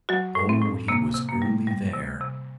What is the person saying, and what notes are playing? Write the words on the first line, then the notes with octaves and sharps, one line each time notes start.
Oh, he was early there.
F#3 F#4
A2
C4
A2
C3 A#3
C3
A#3
G3
G3
C3
C3